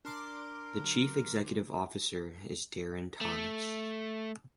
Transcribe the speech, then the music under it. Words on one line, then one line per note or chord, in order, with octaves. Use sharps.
The chief executive officer is Darren Thomas.
D4 A#4 C6 D6
D3 F#3
A3